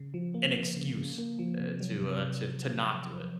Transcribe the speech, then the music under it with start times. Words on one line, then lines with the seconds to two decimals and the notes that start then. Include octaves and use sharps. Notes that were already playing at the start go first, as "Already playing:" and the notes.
an excuse, uh, to, uh, to to not do it.
Already playing: C#3
0.14 F3
0.34 A#3
0.55 F3
0.76 C#3
0.97 C#3
1.18 A#3
1.39 F3
1.60 C3
1.80 F#3
2.02 C3